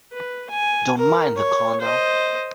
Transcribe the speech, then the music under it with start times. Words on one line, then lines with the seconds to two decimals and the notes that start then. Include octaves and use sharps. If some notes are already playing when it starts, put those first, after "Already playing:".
Don't mind the Colonel.
0.13 B4
0.50 G#5
0.97 A#4
1.36 C#5
1.81 C5 D#5